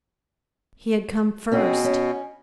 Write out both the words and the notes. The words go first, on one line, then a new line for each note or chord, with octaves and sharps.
He had come first!
B2 C4 C#4 G#4
C#4